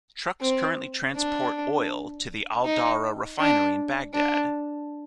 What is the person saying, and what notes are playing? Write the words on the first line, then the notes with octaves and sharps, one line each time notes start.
Trucks currently transport oil to the Al Daura refinery in Baghdad.
C4
D4
D#4
D4
D4